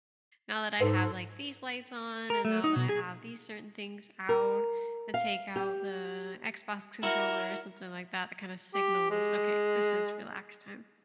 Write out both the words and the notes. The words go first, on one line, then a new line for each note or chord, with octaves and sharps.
now that I have, like, these lights on and now that I have these certain things out let's take out the Xbox controller," or something like that, that kind of signals, "Okay, this is relax time."
G#2 A4 C5
A#4
A3
D#4
B2
G#4
A#4
F5
G4
E4 F#4 A#4
G4
G#3